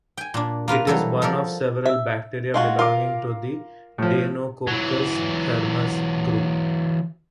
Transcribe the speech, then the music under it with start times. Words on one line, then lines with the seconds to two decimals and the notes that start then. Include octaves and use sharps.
It is one of several bacteria belonging to the "Deinococcus-Thermus" group.
0.17 G5 G#5
0.34 A#2 D4
0.68 A#3 F4 B4 F5
0.87 E3 F#3 G3 A4
1.22 F3 A4 A#4 D5
1.86 E5
2.54 G#3 F4 F#4
2.79 F4 A#4 F5 D6
3.98 A2 F3
4.67 E3 F#3